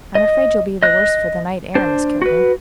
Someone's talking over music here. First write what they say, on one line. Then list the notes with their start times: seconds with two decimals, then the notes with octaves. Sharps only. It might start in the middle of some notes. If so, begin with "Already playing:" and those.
I'm afraid you'll be the worse for the night air, Miss Kilburn.
0.15 D#5
0.83 D#5 F#6
1.75 D4 C5
2.22 F#4 B4